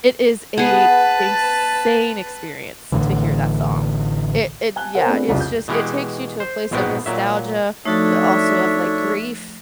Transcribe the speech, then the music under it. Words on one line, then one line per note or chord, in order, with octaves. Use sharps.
It is a insane experience to hear that song. It it yeah, it's just it takes you to a place of nostalgia, but also of, like, grief,
B3 G#4 B4 A5
A1 A2 D3 E3
G#5 A5 F#6 G7
A#4 C5 C#5 F#5
A3 B3 C4 D4 F4 G#4
C2 F2 C#3
G6
B2 E3 G#3 G4
C5
A#1 G#2 B2 G#3 B3 G5
A#2 F#3 E5
F3 A3 D4 D#4 F#4 A4 C#5 E5